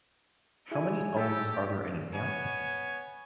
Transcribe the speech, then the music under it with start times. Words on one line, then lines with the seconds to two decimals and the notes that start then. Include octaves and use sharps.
How many ohms are there in an amp?
0.71 E4 F#4 G#4 G#5
1.17 G4 A4 E6
2.13 B3 C#5 G#5